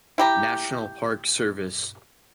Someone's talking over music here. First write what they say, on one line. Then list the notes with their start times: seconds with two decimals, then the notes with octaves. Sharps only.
National Park Service.
0.18 E4 G4 A#5